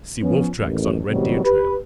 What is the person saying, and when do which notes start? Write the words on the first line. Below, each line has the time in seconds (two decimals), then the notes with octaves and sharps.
See wolf-tracks on red deer trail.
0.22 F3 B3 C#4
0.58 A1 D#2
1.08 E2 A2 C3 D#3 F#3 G3
1.45 G4 B4